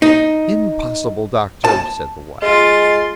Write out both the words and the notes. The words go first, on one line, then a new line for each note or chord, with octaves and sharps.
"Impossible, doctor," said the wife.
D#4
A5
G#3 F4 C6 A6